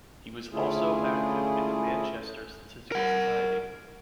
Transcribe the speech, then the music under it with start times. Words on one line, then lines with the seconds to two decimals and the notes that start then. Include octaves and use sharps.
He was also active in the Manchester Statistical Society.
0.51 D3 A3 C#4 E4 F4 G#4
2.92 A#4 F#5